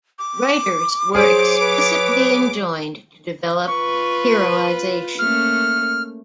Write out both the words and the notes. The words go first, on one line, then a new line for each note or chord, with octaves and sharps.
Writers were explicitly enjoined to develop heroization.
D6
F#3 G#4 C5 C#5 D6
B4
F4 B4 C#6
A3 A#3 C#4 F6